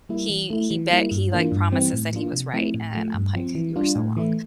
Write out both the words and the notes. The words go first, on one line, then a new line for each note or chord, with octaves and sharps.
he he bet he, like, promises that he was right, and I'm like, "You were so wrong,"
G3 A#3 E4
E3
A3 E4
E3
G3 A#3 E4
G2
E3 A#3 D4 F4
G2
E3 G3 C4
A2
F3 A#3 D4 F4
C3
F3 A3 C4 E4
A2
F3 A3
G2
F3 C4
E3
G3 D4 F4
A2
E3 A3 E4